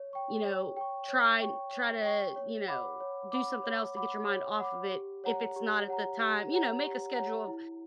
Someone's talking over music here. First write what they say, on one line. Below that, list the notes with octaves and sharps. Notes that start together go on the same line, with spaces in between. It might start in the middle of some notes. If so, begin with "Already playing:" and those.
you know, try try to, you know, do something else to get your mind off of it, if it's not at the time you know, make a schedule of,
Already playing: C#5
G5 C#6
C#5
G5 C#6
C#5
G5 C#6
C#5
G5 C#6
C#5
F#5 B5 D6
C#5
F#5 B5 D6
C#5
F#5 B5 D6
C#5
F#5 B5 D6
G4
C#5 F#5 A#5
G4
C#5 F#5 A#5
G4
C#5 F#5 A#5
G4
C#5 F#5 A#5
E4